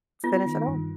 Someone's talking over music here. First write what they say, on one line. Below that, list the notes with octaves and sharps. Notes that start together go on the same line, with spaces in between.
finish at home.
B3 F4
D#3
G2